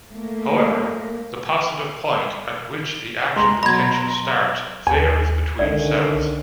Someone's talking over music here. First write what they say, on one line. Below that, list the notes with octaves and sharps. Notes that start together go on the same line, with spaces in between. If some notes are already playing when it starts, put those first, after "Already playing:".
However, the positive point, at which the action potential starts, varies between cells.
A3 A#3
G#3 A#5 C6
B2 F#3 D#5 B5 G#6
D#2 G#5
C2 D3 D#3 C#4 D5 E5